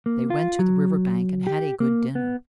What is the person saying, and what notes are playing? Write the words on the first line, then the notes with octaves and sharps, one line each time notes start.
They went to the river bank and had a good dinner.
A#3
F4
F#3
G4
A#3
B3